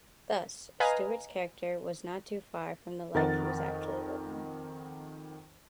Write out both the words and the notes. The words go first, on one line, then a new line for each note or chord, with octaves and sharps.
Thus, Stewart's character was not too far from the life he was actually living.
B4 D#5 F5 G#5 A#5
F2 D#3 A#4 D#5 F#5 A6